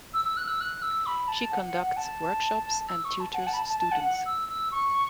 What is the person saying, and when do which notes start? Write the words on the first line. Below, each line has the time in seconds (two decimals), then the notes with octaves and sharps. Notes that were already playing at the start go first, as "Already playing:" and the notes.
She conducts workshops and tutors students.
0.14 E6
0.25 E6
0.37 F#6
0.48 E6
0.61 F#6
0.82 E6
1.06 B5
1.28 A5
1.52 F#5
1.86 F#5
1.97 A5
2.88 E6
3.05 C#6
3.20 A5
3.35 F#5
3.47 A5
3.53 B5
3.58 A5
3.69 A5
3.80 A5
3.92 F#5
4.04 F#5
4.26 E6
4.49 E6
4.72 C#6